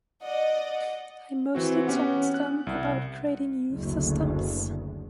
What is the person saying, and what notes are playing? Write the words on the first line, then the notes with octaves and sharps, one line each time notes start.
I mostly talked to them about creating youth systems.
D5 D#5 F#5
E3 C4 F#4
B3 C#4 G4 F#5
F#6
C2
F#1 D2